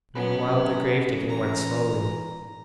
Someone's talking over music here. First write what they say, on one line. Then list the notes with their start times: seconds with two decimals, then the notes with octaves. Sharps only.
Meanwhile the grave digging went slowly.
0.15 F#3 B3 C#4 B4
1.29 E3 A#5